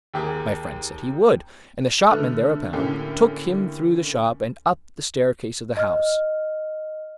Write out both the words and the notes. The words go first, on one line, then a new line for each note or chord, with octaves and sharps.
My friend said he would, and the shopman, thereupon, took him through the shop, and up the staircase of the house.
D#2 G4 G#4 A#4
D3 A3 B3 F6 F#6
A2 D3 A#3 C#4 G4
D#5 F6